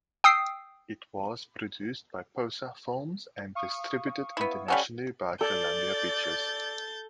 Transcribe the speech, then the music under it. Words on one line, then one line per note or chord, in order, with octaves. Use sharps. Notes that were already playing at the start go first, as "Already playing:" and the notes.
It was produced by Posa Films and distributed internationally by Columbia Pictures.
G5 D#6 E6 C7
F5 C#6 D#6
B3 E4
G3 C#4 A4 D5 F5 F#5
A4 D5 G6 A6